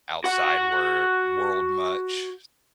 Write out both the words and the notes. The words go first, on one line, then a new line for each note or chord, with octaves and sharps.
outside wer world much,
F#4 F#5